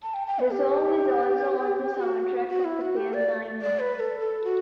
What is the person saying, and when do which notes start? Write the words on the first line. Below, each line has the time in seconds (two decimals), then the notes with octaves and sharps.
The song was also on the soundtrack of the film, "Nine Months".
0.03 A5
0.14 G5
0.27 G5
0.40 B4
0.51 G4
1.99 F#4
2.48 F#4
2.65 E4
2.81 F#4
2.97 G4
3.13 D5
3.62 D5
3.79 B4
3.95 B4
4.00 A4
4.20 A4
4.44 F#4